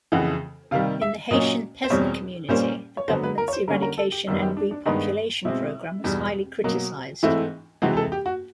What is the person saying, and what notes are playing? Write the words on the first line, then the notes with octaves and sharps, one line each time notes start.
In the Haitian peasant community, the government's eradication and repopulation program was highly criticized.
F2 C#3 E3 F#5
C3 D#3 G3 F5
E5
A#2 F#3 A#3 C#4 D#5
C5
E2 B2 G3 C4 C#5
A#2 G3 A#3 C#4 C5
C#5
D3 F#3 B3 C5
B4
A#4
C#5
C5
D3 G3 A#3 C#4 A#4
A#4
A4
G4
F#2 D#3 G3 B3
G4
D4
D4
G2 D#3 G#3 B3 D#4
B2 G#3 C4 E4
E2 B2 G3
B2 F#3 A#3
G#2 E3 A3 C4 E4
C3 E3 G#3 C4 F#4
A4
G4
F#4